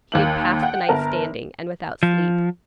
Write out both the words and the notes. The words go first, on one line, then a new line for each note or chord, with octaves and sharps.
He had passed the night standing, and without sleep.
D#2 A#3 F#7
F#5 G5
G1 A#4 A5
F3